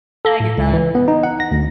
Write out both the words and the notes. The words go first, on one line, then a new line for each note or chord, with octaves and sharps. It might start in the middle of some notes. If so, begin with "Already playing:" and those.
and I get that
A4
A2
C#2
E3
B3
D#4
F#5
A#6
D2